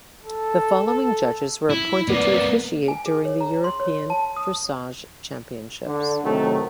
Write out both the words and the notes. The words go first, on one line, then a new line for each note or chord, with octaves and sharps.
The following judges were appointed to officiate during the European Dressage Championships.
A4
E4
A#3 B3 D5
G#5
G#4
C#5
A#5
C6
C#5
A5
D#6
D3
A2 C3 D#3 F#3 A3